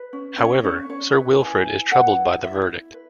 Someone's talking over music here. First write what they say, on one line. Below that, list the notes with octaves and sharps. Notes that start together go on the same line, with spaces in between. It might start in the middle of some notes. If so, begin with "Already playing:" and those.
However, Sir Wilfrid is troubled by the verdict.
Already playing: B4
C#4
C#4 C#5
C#4 C#5
C#4 C#5
B4
E4 G#5
E4
B4 F#5
E4
E4 E5
E4
B4